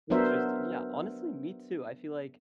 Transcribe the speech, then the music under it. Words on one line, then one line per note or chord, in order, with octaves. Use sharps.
Interesting, yeah honestly, me too, I feel like,
F#3 B3 D4 A#4 C5 E5